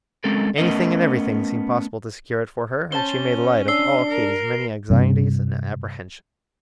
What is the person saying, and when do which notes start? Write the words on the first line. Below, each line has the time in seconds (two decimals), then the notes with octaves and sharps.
Anything and everything seemed possible to secure it for her; and she made light of all Katy's many anxieties and apprehensions.
0.24 G#3 C4 C#4 A4 A#4
0.58 A3 B3 C#4 A#4 D#5
2.92 C#4 C5 A5 G7
3.68 D4 E6 C7 G7
4.08 A#4
4.90 G2 C3